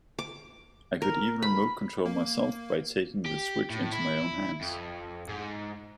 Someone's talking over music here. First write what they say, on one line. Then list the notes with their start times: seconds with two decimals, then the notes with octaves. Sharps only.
I could even remote-control myself by taking the switch into my own hands.
0.19 D6
1.02 A#4
1.42 B5
2.06 A#3
3.26 G4
3.70 A2
3.92 E4
4.62 F2
5.29 G#2